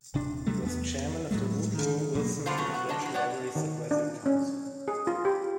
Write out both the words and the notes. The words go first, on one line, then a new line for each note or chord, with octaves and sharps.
He was Chairman of the Woodrow Wilson Presidential Library's Advisory Council.
D#1 C3 D4
C3 F#3 G3 A3
E2 B3
A2 F#3 G#3 A3
D#3
B2 F#3 A#3
D3 B3 C4 F4 A4 C5
F2 C#3 F#3 A3 B3 F4
F#4
D3 F#3 D#5 A5
A2 F#3
G2 C#5 D5 F#5
D#3
D4
C#4
G#4
F4
G4